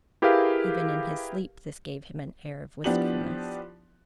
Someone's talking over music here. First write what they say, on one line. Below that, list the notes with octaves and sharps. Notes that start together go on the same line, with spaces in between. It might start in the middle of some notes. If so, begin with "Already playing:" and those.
Even in his sleep, this gave him an air of wistfulness.
E4 G4 G#4 A#4 B4 F5
F3 B3 D4 E4 G4 F#7